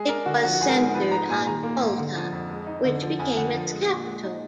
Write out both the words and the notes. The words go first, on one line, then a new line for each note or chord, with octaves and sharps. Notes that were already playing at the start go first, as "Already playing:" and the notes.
It was centered on Balta, which became its capital.
Already playing: G#3 G#4
D4 A#4
D3 F#4
F3 F#4
F#4
G#1 G#4
A#4
G#2
F3 B4
G#3 A#5
A#2 G#5
D#3 A#5
A#3
G#2
D3
F3
F2
G#3
D#4
D3
F3
F2 G#5
D3 F#5
F3
G#3
A#2
G#3
D#4